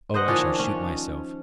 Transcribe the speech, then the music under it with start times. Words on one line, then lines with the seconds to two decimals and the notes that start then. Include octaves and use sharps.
Oh, I shall shoot myself!
0.14 C5 D#5 F#5
0.28 D#3 F3 C#4 D4 G#5
0.59 C#4